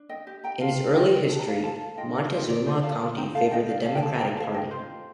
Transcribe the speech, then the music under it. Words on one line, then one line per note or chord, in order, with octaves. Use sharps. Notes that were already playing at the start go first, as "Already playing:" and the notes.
In its early history Montezuma County favoured the Democratic Party.
Already playing: D4
D#5 G5
G4
G5 A#5
F4 F5 A5
A#4 D#5 G5
D4 A5
A#5
F5 A5
A4 F5 A5
F4 D#5 G5
D5 F5
F4 C5 D#5
D5
A4 C5 D#5
F5 A5
F4
G5 A#5
A4 F5 A5
D#5 G5
D4 D5 F5
F5 A5
G5
A4 F5 A5
G5 A#5
A4 F5 A5
D#5 G5
F4 C5